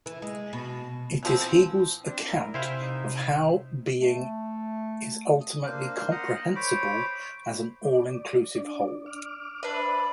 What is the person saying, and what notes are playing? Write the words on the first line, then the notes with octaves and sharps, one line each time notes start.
It is Hegel's account of how being is ultimately comprehensible as an all-inclusive whole.
E3
G#3
B2
E3 F3 C4
C4 D4
E4 A#4
C3 E4 C5 E5 F5 G5 G#5
D#4
A3
D#6
A#3 D4 C5 F5
F#5 A#5 C6 D#6
A#3
C5 C#5 B5 D6
D5
D4 D5
D6 F6
D4 B4 C5 D5 E5